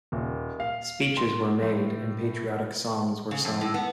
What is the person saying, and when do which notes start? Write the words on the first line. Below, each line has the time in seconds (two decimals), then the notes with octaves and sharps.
Speeches were made and patriotic songs were sung.
0.12 D#1
0.60 F5
1.17 C6
1.63 A2
3.31 C#3
3.45 F2
3.61 A2
3.74 B3